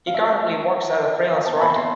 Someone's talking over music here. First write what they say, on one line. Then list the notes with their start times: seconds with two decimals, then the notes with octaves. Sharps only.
He currently works as a freelance writer.
0.07 F5
0.14 E5
1.32 F5
1.47 A5
1.62 B5
1.76 C6